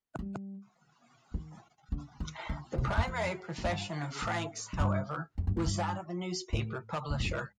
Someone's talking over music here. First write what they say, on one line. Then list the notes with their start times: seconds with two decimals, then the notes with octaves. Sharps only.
The primary profession of Franks, however, was that of a newspaper publisher.
0.19 G3
1.34 D#3
1.92 D3
2.20 D#3
2.49 D3
2.78 C3
2.88 G2
2.97 F2
3.07 F2
3.58 F2
3.65 G2
4.22 A2
4.73 A2
4.80 G2
5.38 F2
5.47 G2
5.57 A2
5.66 G2
6.53 A2
7.10 A2
7.20 A#2
7.25 F2
7.29 G2